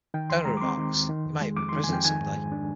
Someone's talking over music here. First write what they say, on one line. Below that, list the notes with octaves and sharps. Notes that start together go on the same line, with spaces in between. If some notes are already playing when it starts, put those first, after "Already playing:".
Daniel remarks, He might even be President someday.
D#3 G5
D#2 C6
G#3 A#5
D6
C4 C6
D#3
D#2
D#3
F2
G#3
F2 D6
C6
D#3
G#5
F2 G5
D#3 G#5
G#2
G#3
D4